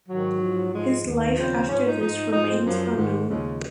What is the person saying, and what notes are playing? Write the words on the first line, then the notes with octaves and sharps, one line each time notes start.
His life after this remains unknown.
G#2 D#3 F#3
G#2 F3
G#2 F3 G#3
D#2 D#3
D#2 C#3 F3 C4
G#2 F3 C#4
D#4
G#2 F3 D#4
G#2 F3 D#4
C4
F#2 F3
G#2 D#3
D#2 C#3 F3 G#3